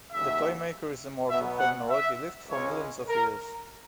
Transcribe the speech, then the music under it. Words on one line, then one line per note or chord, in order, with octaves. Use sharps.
The Toymaker is immortal, having already lived for millions of years.
D#2 C#3 F#3 E5
B2 F#3 B3 E5
F#5
E5
C#2 C#3 G#3 C#4 C#5
A#4